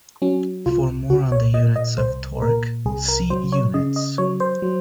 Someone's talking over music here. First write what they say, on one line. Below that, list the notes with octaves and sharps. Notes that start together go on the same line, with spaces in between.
For more on the units of torque, see Units.
F#3 C#4
C2 F4
C2 F#4
C#5
A#2 D#5
D#5
C2 C5
A#2 A#4
C2 G#4
A#4
F#3 C5
C#5
C#3 D#5
D#5
F#3 C#5
C5
F#3